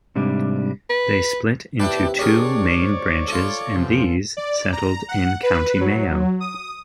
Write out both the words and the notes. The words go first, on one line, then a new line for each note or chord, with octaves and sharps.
They split into two main branches, and these settled in County Mayo.
G#2 C3 G3 D4
B4
D#2 C3 E4 G4 B4 D5 G5 A5
D4 G#4 A#4 C#5 D5
G#2 D3 C5
F4 A4
F2 C3 F#3 B3 C#4
D5
A#5
F#5
B4
F#3
D#6